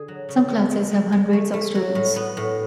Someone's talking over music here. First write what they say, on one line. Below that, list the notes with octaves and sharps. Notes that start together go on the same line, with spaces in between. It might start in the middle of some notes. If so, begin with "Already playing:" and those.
Some classes have hundreds of students.
Already playing: D3 G#4
F#3
C#3
G#3
G#3
G#3
G#3
A3
A3
F#3
A2
B3
A2